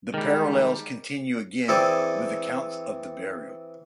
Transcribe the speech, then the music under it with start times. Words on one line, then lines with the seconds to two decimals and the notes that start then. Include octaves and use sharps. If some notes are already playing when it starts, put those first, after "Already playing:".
The parallels continue again with accounts of the burial.
0.14 D#3 G3 G#3 A#4
1.69 E3 C4 G#4 A4 D5